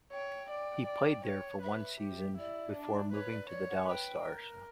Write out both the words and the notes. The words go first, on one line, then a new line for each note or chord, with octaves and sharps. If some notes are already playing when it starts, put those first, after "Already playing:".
He played there for one season before moving to the Dallas Stars.
C#5 G5
D5
D5
C#5
B4 E5
G4
E4 D5
D4
B4 C#5
D5
C#5 D5
F#5
B4 G5
A#4